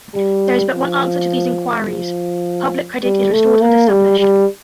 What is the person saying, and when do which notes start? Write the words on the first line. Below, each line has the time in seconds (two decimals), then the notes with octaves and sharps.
There is but one answer to these inquiries: Public credit is restored and established.
0.15 G3
0.72 F3
1.87 F3
3.03 G3
3.32 A3
3.61 A#3
3.89 G3
4.19 G3